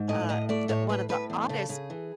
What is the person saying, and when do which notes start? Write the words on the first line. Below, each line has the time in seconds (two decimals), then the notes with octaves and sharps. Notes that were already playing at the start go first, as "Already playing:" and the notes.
Uh, d one of the oddest
Already playing: G#2
0.09 A2 D#5
0.29 A2 D#5
0.49 A3 D5
0.69 A2 C#5
0.89 A2 B4
1.09 A2 B4
1.30 E2
1.49 C#3 A4
1.69 C#3 G#4
1.90 E3